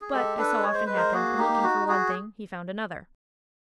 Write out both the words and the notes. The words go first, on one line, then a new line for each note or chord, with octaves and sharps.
But, as so often happens, in looking for one thing he found another.
G#4
G#3 G4 A4
D4 A4 B4
G#3 C#5
C5
G#3 B4
A#4 C5
A#3 F#4 G#4
D#4 G4
F#4
F#4 G#4